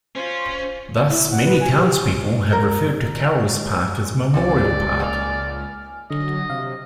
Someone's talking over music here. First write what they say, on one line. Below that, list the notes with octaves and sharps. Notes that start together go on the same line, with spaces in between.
Thus, many townspeople have referred to Carroll's Park as Memorial Park.
C#4 F4 C5
E4
F#5
B4
G#5
G4
A#4
C#2 G3 C4 C#4 D5
D#3 A#3 D#4 G#5 F6
D3 F#3 D#5
C3 F5